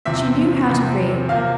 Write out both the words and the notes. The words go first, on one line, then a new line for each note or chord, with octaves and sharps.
She knew how to read.
E2 C3 F3 C4 E5
E2 C3 F3 C4
C3 F3 A#3 F5